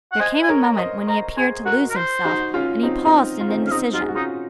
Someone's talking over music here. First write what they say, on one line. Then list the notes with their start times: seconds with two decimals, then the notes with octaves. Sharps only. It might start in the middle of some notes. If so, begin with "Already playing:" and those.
There came a moment when he appeared to lose himself, and he paused in indecision.
0.12 F#5
0.19 C5 D#5 G#5
0.42 G#5
0.49 A#4 C#5
0.63 A#5
0.78 C5 D#5
1.07 C5 D#5 A#5
1.37 G#4 C5 G#5
1.66 F#4 A#4 F#5
1.90 A#4
1.95 C5
2.25 D#4 F#4
2.54 C#4 F4
2.83 C4 D#4
3.05 C4 D#4
3.41 F4
3.49 C4 D#4
3.62 C#4
3.67 F5
3.71 C4 D#4 D#5
3.93 D#4 F4 F#4
4.01 G#4
4.08 F#4
4.15 C#4 D#4 F4